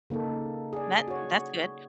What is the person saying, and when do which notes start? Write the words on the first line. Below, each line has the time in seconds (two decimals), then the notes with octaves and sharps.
That that's good.
0.10 C#3 A#3 D#4 A4
0.73 G#4 D5
1.08 F#4 C#5